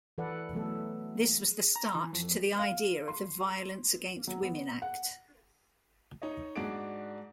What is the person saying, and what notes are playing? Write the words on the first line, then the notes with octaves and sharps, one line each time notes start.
This was the start to the idea of the Violence Against Women Act.
E3 A4 B4 D5 F#5
E3 F#3 A3 B3 A4
A#5
E3
F2
F5
C6
F#3
B3
F#5
D#4 C#5 D#5
G#2 D4 F#4 G#4 D5 D7